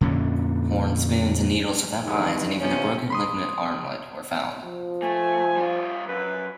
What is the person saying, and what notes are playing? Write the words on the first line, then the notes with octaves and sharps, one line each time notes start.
Horn spoons and needles without eyes and even a broken lignite armlet were found.
F2 A#2 D3 C#4
E2 G2 D3 G#3 B3 D#4
E2 C3 F3 B3 C#4 C#5
B5 C6 D#6
F3
A3 G#5
G3 F4
F#2 B4